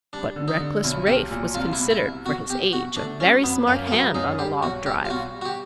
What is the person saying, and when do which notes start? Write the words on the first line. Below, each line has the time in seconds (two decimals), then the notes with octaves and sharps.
But reckless Rafe was considered, for his age, a very smart hand on a log drive.
0.13 G3 D4
0.36 D3
0.48 D#4
0.60 D3
0.84 B1 E4
1.07 B1 G4
1.31 A#2
1.55 C2 F4
1.73 E4
1.79 B2
1.90 E4
2.02 C2
2.26 B2 F#4
2.50 B2 G4
2.73 B2 F#4
2.97 A3 D4
3.20 F#3 C#4
3.43 F2 B3
3.67 F#2 A#3
3.87 A#3
3.91 F#3 B3
4.14 F#2 D#4
4.39 G3 G4
4.63 B1 F#4
4.86 G3 G4
5.05 F4
5.10 B2 F#4
5.33 G3
5.41 F#4
5.45 G4